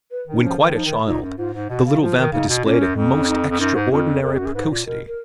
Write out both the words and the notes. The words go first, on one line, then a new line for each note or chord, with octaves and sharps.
When quite a child, the little Vampa displayed a most extraordinary precocity.
B4
D#3 D#4
F3 C#4
D#3
F3 D#4
D#3
A#2 D#4
F#2
G#2 F4
G#2
B2 F#4
C#3
F3 F4
D#3
C#3 D#4
B2
A#2 C#4
F#2
F2
C#4
D#4
F2
F#2 D#4
G#2
F2 F4
F2 A#4
G#4
F#2 F#4
G#4
G#2 B4
A#2
B2 A#4
A#4